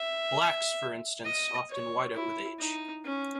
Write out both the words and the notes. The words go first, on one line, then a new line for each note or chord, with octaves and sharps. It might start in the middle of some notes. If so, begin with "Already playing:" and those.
Blacks, for instance, often white out with age.
Already playing: E5
D#5
C#5
E4
D#4
C#4